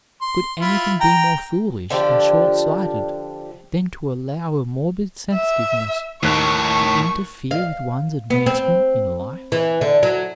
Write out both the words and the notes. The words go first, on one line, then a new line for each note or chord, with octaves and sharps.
Could anything be more foolish and short-sighted than to allow a morbid sensitiveness to interfere with one's advancement in life?
C6
E4 F4
G5 A#5
D3 F3 D4 G4
E5
D#2 A2 D#3 C#6 F#6
F5
B3
C4
E3
D3
F#3